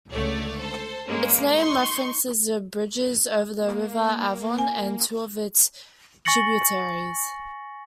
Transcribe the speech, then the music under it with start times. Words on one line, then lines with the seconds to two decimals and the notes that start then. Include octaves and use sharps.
Its name references the bridges over the River Avon and two of its tributaries.
0.11 C#2 D3 A3 C#5 D5
0.59 A4 C5
1.07 G2 G#3 A#3 C#4
1.57 D#4 C6 C#6
3.59 A#3
4.58 G#5
6.25 G#5 C#6 A6 A#6 C#7 F#7